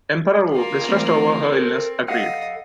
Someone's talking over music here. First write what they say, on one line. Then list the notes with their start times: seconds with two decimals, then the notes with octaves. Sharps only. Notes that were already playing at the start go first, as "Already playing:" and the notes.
Emperor Wu, distressed over her illness, agreed.
0.53 A#3 F4
0.89 E3 A3 C4
1.52 C4 A4 A#4
2.08 A4 D#5 F5 F#5